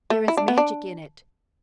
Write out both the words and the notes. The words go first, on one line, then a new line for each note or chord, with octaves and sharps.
There is magic in it.
A3
E4
D4
B3
D4